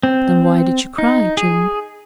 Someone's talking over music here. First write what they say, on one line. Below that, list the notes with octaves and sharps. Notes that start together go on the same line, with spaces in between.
"Then why did you cry, June?"
C4
D#4
G#4